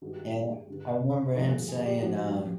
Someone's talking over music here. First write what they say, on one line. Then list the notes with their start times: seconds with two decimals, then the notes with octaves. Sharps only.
and I I remember him saying, um,
0.02 G2 D#3 G#3 F#4
0.12 G4
0.24 G#4
0.35 G#4
0.68 G2 D3 G3
1.34 G2 D3 F3 A3 A4
1.51 G#4
1.69 G#4
1.85 G4
2.01 A2 F3 A3 C4 F#4
2.12 F#4
2.23 G4
2.34 G4